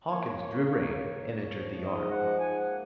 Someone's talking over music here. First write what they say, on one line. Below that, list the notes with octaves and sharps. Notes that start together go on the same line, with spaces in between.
Hawkins drew rein and entered the yard.
A#3 C#5
A#3 C#5
A#3 C#5
A#3
G#2
F3
G#2 D#5
F3 F#5
G#2 G#5
F#5
A#3